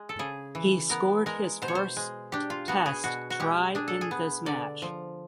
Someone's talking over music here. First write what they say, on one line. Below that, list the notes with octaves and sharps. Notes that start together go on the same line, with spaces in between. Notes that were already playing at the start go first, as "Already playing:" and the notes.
He scored his first test try in this match.
Already playing: G#3
A4
C#3 G#4
E3
B3 A#4
G#3 A#4
B2 C5
C#5
C5
G#3
D4 G4
F4
B3 F#4
G#4
B2 F#4
F#4
G#3 G4
D4 G#4
A4
G#4
B3
D3 D5
F3